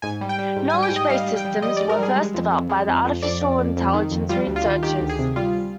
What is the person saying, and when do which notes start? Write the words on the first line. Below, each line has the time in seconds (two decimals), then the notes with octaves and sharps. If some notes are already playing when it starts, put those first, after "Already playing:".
Knowledge-based systems were first developed by artificial intelligence researchers.
0.02 G#2 G#5
0.21 G3
0.29 G5
0.39 G3
0.56 G#2
0.70 G#5
0.74 G3
0.83 G5
0.91 G#2 D#5
1.09 G3 F5
1.27 G3
1.36 G5
1.45 G3
1.62 G3 D#5
1.77 D5
1.81 G#2
1.89 A#4
1.98 G3 G#4
2.16 G#3
2.34 F2
2.52 F2
2.69 G#3
2.87 F2
3.05 F2
3.22 F2 D5
3.41 F2
3.58 F2
3.76 F2
3.94 D#3
4.12 F2
4.29 G3 F4
4.47 D2
4.56 F4
4.65 D#3
4.83 D#3 G4
5.00 D2
5.09 G#4
5.19 C3
5.36 G3 F4